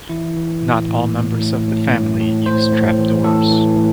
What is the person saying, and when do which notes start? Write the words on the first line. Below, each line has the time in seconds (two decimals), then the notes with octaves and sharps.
Not all members of the family use trapdoors.
0.09 E3 E4
0.37 E3
0.62 A2
0.88 A2
1.14 A2
1.41 A2
1.67 A2
1.93 A2
2.20 A2
2.46 A2 C5
2.72 A2
2.98 E3
3.24 A2 A4
3.51 E3
3.77 A2